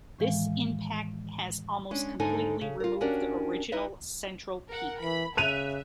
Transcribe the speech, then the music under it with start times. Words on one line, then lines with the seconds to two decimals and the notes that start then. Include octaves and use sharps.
This impact has almost completely removed the original central peak.
0.19 A2 D#3 E3 G#3 F5
1.91 G#3 C#4 D4
2.19 D#2 G#2 D3 D#4 A4 G#5
2.61 C#3
2.80 F4 A#4
3.01 C#4 D4 F#4 G4 A#4 D5
3.72 D#4 E4 B4 D#5 E5
4.70 A#4 F#5
5.03 E3 B5
5.37 C#3 E5 F#6 D#7 F7